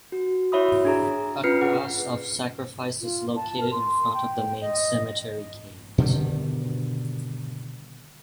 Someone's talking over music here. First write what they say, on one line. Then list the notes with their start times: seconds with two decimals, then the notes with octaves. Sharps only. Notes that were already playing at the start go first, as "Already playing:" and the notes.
A Cross of Sacrifice is located in front of the main cemetery gate.
0.12 F#4
0.52 E4 F#4 C#5 E5 B5 D#6
0.85 D4 G#4 A#5
1.44 C#4 F4 B4 F6 C7 C#7
1.61 G#4 F#5
3.01 F4
3.36 A5
3.60 A#4
3.72 C6
4.14 G5
4.61 D#5
5.98 B2 D3 D#3 G3